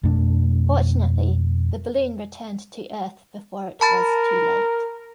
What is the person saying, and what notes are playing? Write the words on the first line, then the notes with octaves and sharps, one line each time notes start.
Fortunately, the balloon returned to earth before it was too late.
F2 B2 A3 D4
A#4 A5 B5 A6